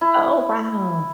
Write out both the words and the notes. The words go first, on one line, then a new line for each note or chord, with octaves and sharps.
Oh, wow.
E4